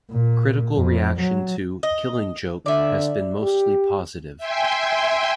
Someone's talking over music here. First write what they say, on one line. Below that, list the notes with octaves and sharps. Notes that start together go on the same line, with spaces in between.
Critical reaction to "Killing Joke" has been mostly positive.
A#2
F2
F#3
D#5
D3 D5 E5
G4
E5 G5 G#5 C6